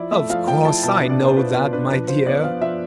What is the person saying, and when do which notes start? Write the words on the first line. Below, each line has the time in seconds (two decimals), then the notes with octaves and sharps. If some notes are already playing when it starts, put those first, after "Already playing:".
'Of course I know that, my dear.
Already playing: F3 E4 D5
0.11 A3 E5
0.30 F3 F5
0.47 F3 G5
0.65 E4 A5
0.83 B2 A5
1.02 D4
1.09 D5
1.19 B3 C5
1.37 F4 B4
1.54 B2 B4
1.73 D4 B4
1.90 F3 B4
2.08 F4 C5
2.26 B3 D5
2.44 F3 F5
2.61 F3 E5